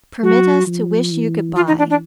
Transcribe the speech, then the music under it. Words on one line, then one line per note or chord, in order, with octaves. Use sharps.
Permit us to wish you good-by.
F#3 F#4
F3
E3
E3 F4
D#4
D4
D4